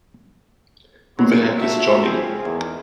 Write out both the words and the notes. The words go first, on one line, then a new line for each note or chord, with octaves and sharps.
Who the heck is Johnny?!
F#3 G#3 A#3 C4
F4 F#4 E5 A5 A#5
F3 C4 G#4
E2 D#3